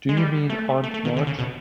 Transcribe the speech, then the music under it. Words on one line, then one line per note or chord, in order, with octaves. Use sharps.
Do you mean Aunt March?
G#3
G3
A3
A3
A3
D#3
D3
C#3
B2